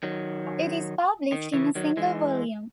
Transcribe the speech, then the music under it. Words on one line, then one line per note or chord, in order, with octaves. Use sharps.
It is published in a single volume.
D#3 F#3
D#3
C#3 E3
D#3 F#3
E3 G#3